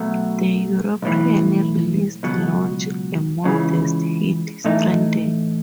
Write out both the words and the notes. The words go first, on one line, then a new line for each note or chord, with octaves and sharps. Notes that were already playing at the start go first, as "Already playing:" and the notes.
The European release launched a modest hit, "Stranded".
Already playing: B2 F#3 A3
B1 A2 E3
C#2 B2 F#3
C#2 C#3 E3
A2 E3 A3 D#4